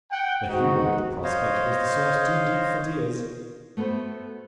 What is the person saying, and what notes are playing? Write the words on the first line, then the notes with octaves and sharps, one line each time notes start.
The humor of the prospect was the sort too deep for tears.
F#5 G5
G#2 D#4 F#4
C5 C#5 D#5 F5
A3 B3 F#4 B4 C5